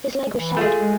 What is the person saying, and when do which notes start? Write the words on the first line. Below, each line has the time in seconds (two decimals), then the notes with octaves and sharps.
His leg was shattered.
0.36 E3
0.57 A3 F4 G#4
0.78 G#3